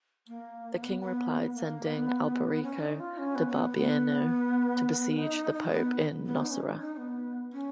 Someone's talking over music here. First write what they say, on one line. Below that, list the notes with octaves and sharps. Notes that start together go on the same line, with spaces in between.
The King replied sending Alberico da Barbiano to besiege the pope in Nocera.
A#3
B3
B3
A#3
B3
C#4
D#4
F4
C#4
B3
B3
B3
D#4
D#4
B3
B3
D#4
C#4
D#4
D#4
B3
C#4